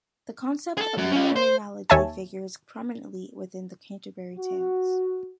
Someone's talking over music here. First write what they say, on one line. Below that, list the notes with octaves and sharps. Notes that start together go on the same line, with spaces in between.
The concept of liminality figures prominently within "The Canterbury Tales".
G#4 A4
F#2 F#3
C#4 F4
C5
D#2 C#5 E5 G#5 A5
F#4